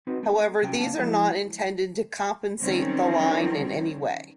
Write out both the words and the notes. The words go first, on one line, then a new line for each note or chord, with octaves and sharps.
However, these are not intended to compensate the line in any way.
C4 D#4 F#4 B4
A3
C3 F#3 C#4 G5
C#2 F#2 A#3 D4 A5
F3 G#3 E4 G#4 C5
D#3 F#3 G3 C4 C#4